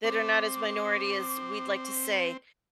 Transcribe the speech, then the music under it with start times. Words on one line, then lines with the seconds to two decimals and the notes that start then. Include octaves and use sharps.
that are not as minority as we'd like to say
0.04 C4 D6